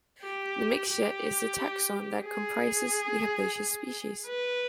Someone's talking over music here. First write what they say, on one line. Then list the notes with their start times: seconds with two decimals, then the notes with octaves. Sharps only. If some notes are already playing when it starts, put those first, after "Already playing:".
"Nemexia" is the taxon that comprises the herbaceous species.
0.22 G4
0.90 G4
2.25 G#4
4.27 B4